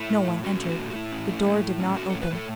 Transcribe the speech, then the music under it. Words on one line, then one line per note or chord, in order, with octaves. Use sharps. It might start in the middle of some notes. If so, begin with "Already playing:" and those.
No one entered; the door did not open.
Already playing: A3 E4
A2
A2
C#4 F#4
A3
F#4
A2
F#4
A2 E4
C#4
A3
A2
A2
C#4
A3 F#4
A2 A4
B4
A2 A4